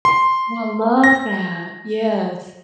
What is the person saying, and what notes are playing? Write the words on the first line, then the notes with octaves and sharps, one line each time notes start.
I love that. Yes.
C6
A#6